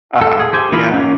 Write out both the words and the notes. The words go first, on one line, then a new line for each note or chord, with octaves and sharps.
Uh-huh, yeah.
A4
G#4
G4 C5 G#5
E3 A#3 D#4 F4 B5
A#3 C#4